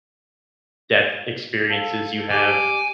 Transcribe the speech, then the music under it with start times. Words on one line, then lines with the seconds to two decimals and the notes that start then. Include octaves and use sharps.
death experiences you have
1.71 A4 F5
2.31 G4 G#5 D6